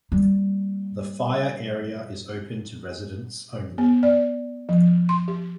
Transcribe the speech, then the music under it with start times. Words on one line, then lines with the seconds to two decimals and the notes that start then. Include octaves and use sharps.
The fire area is open to residents only.
0.12 G3 A#3
3.78 B3
4.03 D5
4.69 F3
5.09 C6
5.28 G4